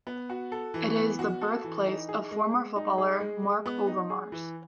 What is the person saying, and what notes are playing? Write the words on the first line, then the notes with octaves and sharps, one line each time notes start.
It is the birthplace of former footballer Marc Overmars.
B3
F#4
A4
E3
B3
F#4
A4
E3
D#4
G#4
G#3
G#3
D#4
G#4
G#3
G#3
B3
D#4
G#4
E3